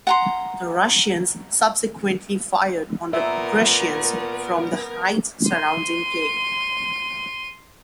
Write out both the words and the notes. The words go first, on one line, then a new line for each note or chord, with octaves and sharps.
The Russians subsequently fired on the Prussians from the heights surrounding Kay.
F#5 A#5 C6
A#2 B3 A#4 E5
C6 D#7